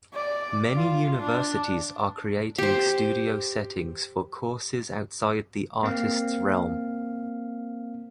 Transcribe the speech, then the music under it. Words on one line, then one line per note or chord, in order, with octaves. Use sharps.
Many universities are creating studio settings for courses outside the artist's realm.
D5
F4
D4
G4 C5
A#3 C4 F5